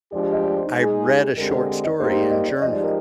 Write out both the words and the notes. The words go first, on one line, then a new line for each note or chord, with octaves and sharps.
I read a short story in German,
F3 G#3 D4 G4 D5
D5
D#5
D5
C5
D#4
G#3 D#4 G#4
G4
D3 G#3 C4 G4 A#4
C5
D5
D#5
G3 A#3 D#4 G4 C5
C5
D5
D#5
D5
F3 G#3 D#4 G4 D#5
D5
A#4